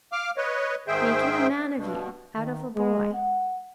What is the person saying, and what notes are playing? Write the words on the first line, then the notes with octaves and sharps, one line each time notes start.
Making a man of you, out of a boy.
F5 D6 F6
B4 C#5 D#5
G#2 D#3 G#4 C5 E5 G5
G2 B2
D#3
G#3
F#5